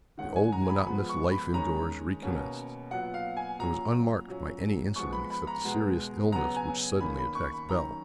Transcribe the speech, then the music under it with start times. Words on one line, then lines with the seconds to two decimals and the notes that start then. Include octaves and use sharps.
The old monotonous life in-doors recommenced, and was unmarked by any incident except a serious illness which suddenly attacked Bell.
0.18 D#3 G#3 C#4 F#5
0.36 G#5
0.52 A#5
0.69 B5
0.86 F3 G#3 B3 B5
1.09 C#6
1.31 B5
1.54 D#3 G#3 C#4 A#5
2.23 B2 A#3 C#4
2.91 A#2 F#3 B3 F#5
3.14 F5
3.37 G#5
3.59 A#2 F#3 C#4 A#5
4.28 A#2 F#3 C#4
4.96 F3 G#3 B3 C#6
5.13 B5
5.30 B5
5.47 A#5
5.64 B2 G#3 B3
6.32 C#3 F#3 B3 A#5
6.56 G#5
7.00 D#3 A#3 C#4 B5
7.18 B5
7.35 C#6
7.52 B5
7.69 D#3 F#3 C#4 A#5